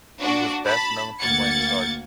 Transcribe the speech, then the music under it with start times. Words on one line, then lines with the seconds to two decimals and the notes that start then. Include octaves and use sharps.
He was best known for playing Sgt.
0.21 A#3 D4 F#4
0.66 A5 B5
1.21 D2 A#3 F#5 G#6 A6 C#7